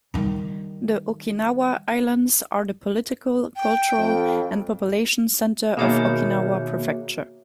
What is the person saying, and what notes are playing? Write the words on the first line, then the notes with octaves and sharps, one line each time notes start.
The Okinawa Islands are the political, cultural and population center of Okinawa Prefecture.
D#3 G3
G5
F2
B2 D#3 A#3 F#4 G#4 C#5 E5